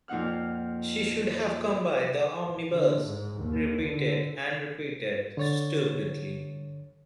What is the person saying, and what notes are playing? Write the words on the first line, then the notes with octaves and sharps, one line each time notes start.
"She should have come by the omnibus," he repeated and repeated stupidly.
F2 A#2 D#4 F#5 F6
D3
G#2
D#2
D3
D3 C#5 A6